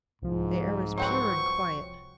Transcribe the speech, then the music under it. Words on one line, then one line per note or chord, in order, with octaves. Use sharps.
The air was pure and quiet.
C2 G#2 F3
F#3 C4 B4 C#6